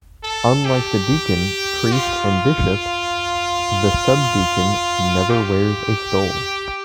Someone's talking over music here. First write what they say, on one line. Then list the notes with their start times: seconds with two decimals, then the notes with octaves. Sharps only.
Unlike the deacon, priest, and bishop, the subdeacon never wears a stole.
0.23 A4
0.65 G4
1.92 F4
5.30 G4